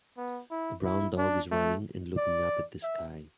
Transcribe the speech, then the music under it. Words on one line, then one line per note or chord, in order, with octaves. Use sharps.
A brown dog is running and looking up at the sky.
B3
E4
E4
D4
A3
D5
E5